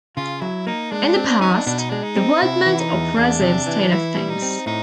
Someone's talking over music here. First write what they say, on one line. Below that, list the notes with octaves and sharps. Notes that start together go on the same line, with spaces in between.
In the past, the word meant oppressive state of things.
C#3 F4
F#3 E4
A#3 D#4
G#3 D4
C4
D4
C#4 D#4
D4
B2 D4
D#4
G#3 D4
D#4
C4
C3 E4
E3
D#4
E2
E2 D4
C3
E3
E3 E4
G3
D#4
C4
A2 D#4